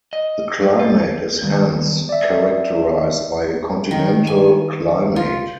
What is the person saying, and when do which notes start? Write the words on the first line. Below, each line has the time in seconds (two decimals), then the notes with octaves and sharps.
The climate is hence characterized by a continental climate.
0.13 D#5
0.59 F#2
0.79 F4
1.42 D#3 G3 B3
2.09 D5 E5
3.91 D#3
4.27 G#5
5.16 F4